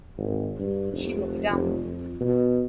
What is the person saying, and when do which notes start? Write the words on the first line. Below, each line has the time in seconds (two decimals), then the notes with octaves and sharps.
She'll be down.
0.17 G#1
0.59 G2
0.93 F1
1.51 F1
1.84 F2
2.21 B2